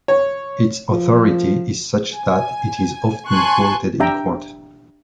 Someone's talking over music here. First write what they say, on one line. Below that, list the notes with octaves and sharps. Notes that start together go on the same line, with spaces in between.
Its authority is such that it is often quoted in court.
C#5
F3
G#5
G#5 A5 C6 C#6 F#6
D4 G4 E5 G5 A#5